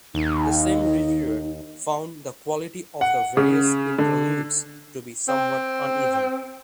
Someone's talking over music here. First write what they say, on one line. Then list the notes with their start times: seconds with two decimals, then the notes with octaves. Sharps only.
The same reviewer found the quality of the various interludes to be somewhat uneven.
0.14 D#2 D#4
3.01 F#5
3.37 C#3
3.98 D3
5.29 C4